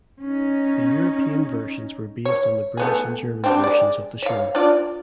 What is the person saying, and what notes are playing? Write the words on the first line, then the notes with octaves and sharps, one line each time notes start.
The European versions were based on the British and German versions of the show.
C#4 D#4
C#5
A3 B3 G#4
C4 D4 G4
G#3 D5
C#5 F5
D4 F4 D5